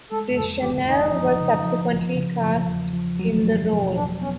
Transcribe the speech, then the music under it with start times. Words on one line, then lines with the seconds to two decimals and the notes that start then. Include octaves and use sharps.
Deschanel was subsequently cast in the role.
0.11 G#3 A4
0.36 F2 A4
0.62 G#3 G4
0.88 F2 D#4
1.14 F3
1.40 C#3
1.65 F3
1.91 F3
2.16 C#3
2.42 F3
2.67 E2
2.93 F3
3.19 F#3
3.45 F#3
3.70 B2
3.96 E2 D4
4.21 B3 C#4